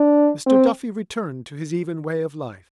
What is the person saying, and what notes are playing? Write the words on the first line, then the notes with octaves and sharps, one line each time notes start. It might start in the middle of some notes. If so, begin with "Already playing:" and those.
Mr. Duffy returned to his even way of life.
Already playing: D4
C4